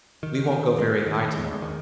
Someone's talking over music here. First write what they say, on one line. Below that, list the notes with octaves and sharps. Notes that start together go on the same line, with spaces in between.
We won't go very high to-morrow.
D#3
D#3
G#3
D#3
G#3
D#3